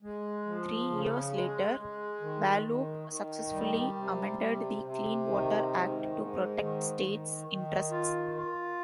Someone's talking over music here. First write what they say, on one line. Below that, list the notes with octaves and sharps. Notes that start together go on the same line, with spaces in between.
Three years later, Wallop successfully amended the Clean Water Act to protect states' interests.
G#3
F3
C#3
G#3
G#3
D#3
D#3
D#3
G3
C3
C3
C3
D#3
G#2
G#2
D#3
D#3
D#3
F4
F4